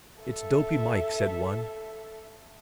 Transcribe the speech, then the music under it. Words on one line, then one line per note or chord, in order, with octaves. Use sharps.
"It's Dopy Mike," said one.
A4 E5